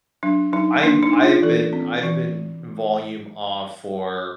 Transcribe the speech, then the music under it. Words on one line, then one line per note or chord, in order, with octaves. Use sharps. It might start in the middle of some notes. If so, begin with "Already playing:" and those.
I'm I've been I've been "volume off" for
F#3 D4
F#3 D#4
A#3 D4
D#4
D4
F4
E3 A4
C4
E3